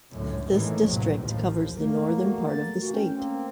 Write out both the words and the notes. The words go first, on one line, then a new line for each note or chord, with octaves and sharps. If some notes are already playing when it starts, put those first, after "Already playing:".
This district covers the northern part of the state.
C#2 F#2 A2 D3 C#4
A1 A2 D#3 E3 G#3 A#3
A1 F2 C3 F#3
A1 D#2 F3
E2 A3 A#3 A#4
F#4
A6
C3 E3 A#3 F#4
C#4 G5
A#3 C4